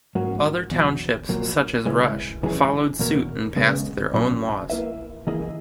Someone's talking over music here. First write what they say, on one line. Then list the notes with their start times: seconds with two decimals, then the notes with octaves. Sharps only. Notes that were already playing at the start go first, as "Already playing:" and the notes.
Other townships, such as Rush, followed suit and passed their own laws.
0.15 G#2 F#3 A#3 C#4 F#4
0.71 E2 B2 F#3
1.29 A#2 F#3 A#3
1.86 C#3 G#3 C#4 E4 B4
2.43 F#2 E3 G#3 C#4 G#4
2.99 E2 B2 A#3
3.56 C#3 G#3 B3
4.14 A#2 F#3 C#4
4.70 A#3 E4 B4 E5
5.27 E3 A#3 E4 G#4 D#5